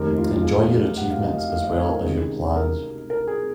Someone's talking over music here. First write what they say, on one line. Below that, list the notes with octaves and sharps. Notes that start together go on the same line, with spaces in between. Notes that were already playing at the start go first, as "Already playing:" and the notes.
Enjoy your achievements as well as your plans.
Already playing: F1 D#2 D#3 A#4
F4
F4
G#4
F#5
F5
D#5
F5
F5
D#5
C#5
A#4
C#2 C3 D#3 G#4
A#4
A#4
G#4